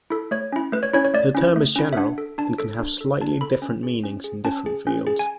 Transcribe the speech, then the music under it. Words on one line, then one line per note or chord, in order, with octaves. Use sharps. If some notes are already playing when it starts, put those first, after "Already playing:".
The term is general and can have slightly different meanings in different fields.
E4 A4
A3 C#5
C#4 E4
A3 B4
C#5
C#4 E4 C#5
C#5
A3 D5
C#4 E4
A3
C#4 E4
E5
D4 F#5
A4
D4 A5
A4
D4
A4
D4 A5
A4 B5
C#4
G#4
C#4
G#4
C#4 A5
G#4
C#4
G#4
G#5